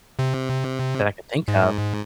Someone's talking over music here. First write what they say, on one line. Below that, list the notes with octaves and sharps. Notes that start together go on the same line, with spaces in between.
that I can think of.
C3
G#2